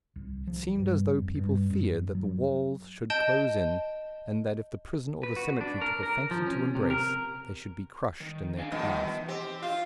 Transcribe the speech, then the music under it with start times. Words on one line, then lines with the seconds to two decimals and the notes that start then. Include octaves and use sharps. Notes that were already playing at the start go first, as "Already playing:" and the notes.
It seemed as though people feared that the walls should close in, and that if the prison or the cemetery took a fancy to embrace, they should be crushed in their clasp.
0.16 C2
0.47 F3
0.77 G2
1.19 F2
1.35 G2
1.70 F#2
2.15 F#3
3.10 D#5 A5 G6 D7 E7 G7
5.23 B4
5.36 F#4
5.61 D4
5.81 A#4
6.03 A#4
6.31 F3
6.46 C#4
6.75 C3
6.90 A#4
8.20 D#3
8.57 D4 F5 G#5
8.72 B2 D#3 F3 G3 B3
9.02 E3
9.28 C4 G4
9.62 F4 F5